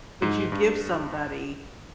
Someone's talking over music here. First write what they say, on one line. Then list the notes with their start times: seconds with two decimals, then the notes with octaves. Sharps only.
would you give somebody
0.22 G#2
0.52 G2